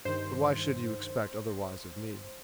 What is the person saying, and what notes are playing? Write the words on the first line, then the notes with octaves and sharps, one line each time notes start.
But why should you expect otherwise of me?
G2 D#3 C5